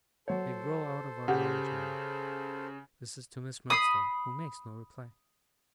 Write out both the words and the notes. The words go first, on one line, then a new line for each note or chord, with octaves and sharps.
They grow out of our knowledge, ma'am?' This is to Miss Murdstone, who makes no reply.
F#3 A4 C5 C#5
C#3 G4 F#5
B5 D#6 C7